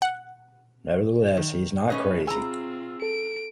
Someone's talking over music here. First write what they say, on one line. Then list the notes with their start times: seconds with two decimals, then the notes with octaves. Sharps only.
Nevertheless, he is not crazy.
0.02 F#5
1.37 D#3
1.90 A3 C#4 B4 D#5
2.27 C4 F4 G#4 G#5 A#5 E6
3.02 A4 D7